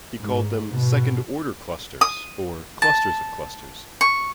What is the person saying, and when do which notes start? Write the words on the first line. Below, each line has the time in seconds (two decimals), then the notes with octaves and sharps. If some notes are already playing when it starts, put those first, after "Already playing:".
He called them "second-order clusters", or clusters of clusters.
0.18 G#2
0.71 B2
2.01 D#6
2.82 A5
4.01 C#6